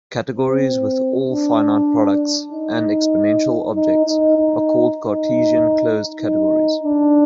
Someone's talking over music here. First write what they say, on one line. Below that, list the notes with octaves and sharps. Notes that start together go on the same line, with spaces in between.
Categories with all finite products and exponential objects are called cartesian closed categories.
C4
D4
D#4
D#4
D#4
D#4
D#4
D#4
D4